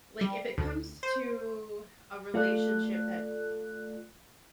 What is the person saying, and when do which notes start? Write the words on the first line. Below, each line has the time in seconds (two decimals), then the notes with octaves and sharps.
like, if it comes to, a relationship that,
0.21 G3
0.58 D2
1.03 C5
2.34 A3 F4 A4 D5 F#6